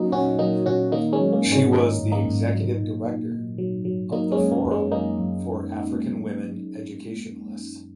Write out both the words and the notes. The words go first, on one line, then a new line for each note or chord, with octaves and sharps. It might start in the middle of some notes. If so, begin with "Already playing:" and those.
She was the Executive Director of the Forum for African Women Educationalists.
Already playing: A#2 F#3 A#3 C#4 D#4 F#4
A#2 C#4 F#4
F#3 A#3 D#4
A#2 C#4 F#4
D#3 A#3 D#4
G#3 C#4
F#3
A#3
G#2
G#3 C#4
D#3 A#3 D#4
G#2
A#3 D#4
G#2
F#3
A#2
A#2
A#2
F#3
F#3
F#3 A#3 D#4
G#3 C#4
F#2
A#3
F#2
G#3 C#4
F#3 A#3 D#4
F#2